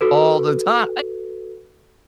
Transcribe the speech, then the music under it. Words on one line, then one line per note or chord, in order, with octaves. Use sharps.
all the time.
F#4 A4 B4